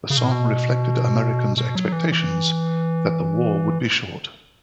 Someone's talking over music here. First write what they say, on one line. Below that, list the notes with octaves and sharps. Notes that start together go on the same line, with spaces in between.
The song reflected Americans' expectations that the war would be short.
C#3
B2
A2
B2
B2
F#3
E3
E3